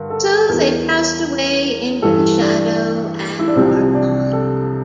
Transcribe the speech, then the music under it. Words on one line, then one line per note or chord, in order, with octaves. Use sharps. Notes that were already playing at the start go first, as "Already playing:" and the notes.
So they passed away into the shadow and were gone.
Already playing: G2 D3 A#4
A4
E2 E3 A#4
G2 E3 A4
D4
E4
D4
C2 C3 F3 C4
D4
A4